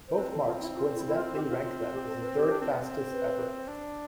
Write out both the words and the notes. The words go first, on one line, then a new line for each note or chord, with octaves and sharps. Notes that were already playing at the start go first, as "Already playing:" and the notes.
Both marks coincidentally rank them as the third fastest ever.
C5
C4 B4
A4
F4
E4
F4
E4
E4
F4
C4 G4
F4
F4
F4
G4
A4
B4
G4
D4
C4
B3
C4
B4
D4